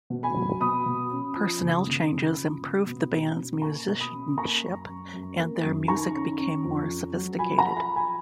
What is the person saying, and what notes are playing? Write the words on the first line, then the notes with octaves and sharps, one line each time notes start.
Personnel changes improved the band's musicianship and their music became more sophisticated.
B2
G#5 B5
F#3
B2 B5 D#6
B2
C#4
F3
C#3
C#3
C#3
F3
C#3
B2
B2
C#4
A#3 A#5 C#6
B2
B5 D#6
C#4
A#3 A#5 C#6
F#2
F#2
F#2
A#3
F#2
D#3 A#5 C#6
C#4
C#4
F2
C#4
F#3
F3 G#5 B5
F#5 A#5
F3
G#5 B5
F3
G#5 B5